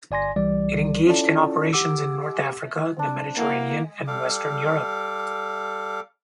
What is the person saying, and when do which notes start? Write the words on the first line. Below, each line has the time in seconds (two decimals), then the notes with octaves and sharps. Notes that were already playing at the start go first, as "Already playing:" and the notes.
It engaged in operations in North Africa, the Mediterranean, and Western Europe.
0.11 G1 D5 G#5 C6 A#6
0.36 C2 E3 G3 D5
1.07 C#4 E4 F4 A4 D5 A5
1.73 G4 F#5 D6 E6
2.97 C4 D4
3.37 A#3 E4 F#4 C#6
4.07 G3 A4 F5 D6